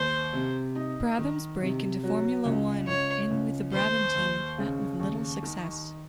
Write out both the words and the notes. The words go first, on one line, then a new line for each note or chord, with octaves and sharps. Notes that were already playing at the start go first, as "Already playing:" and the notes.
Brabham's break into Formula One in with the Brabham team met with little success.
Already playing: D#2 C5
C3
D#4
D#3
C3
F#3
C#2
C#2 C#5
C#2
D#2 C5
D#2
C#3
D#2
D#3